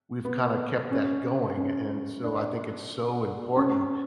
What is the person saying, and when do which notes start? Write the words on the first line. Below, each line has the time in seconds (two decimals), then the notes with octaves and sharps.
we've kinda kept that going, and so, I think it's so important,
0.25 B3
0.91 C#4
1.57 C#4
2.24 D4
3.57 C#4